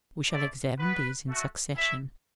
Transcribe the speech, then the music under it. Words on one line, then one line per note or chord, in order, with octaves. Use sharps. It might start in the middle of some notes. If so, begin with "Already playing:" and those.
We shall examine these in succession.
A3 E4 D5
B3 F#4 B4
A3 F#4
A3 E4 E5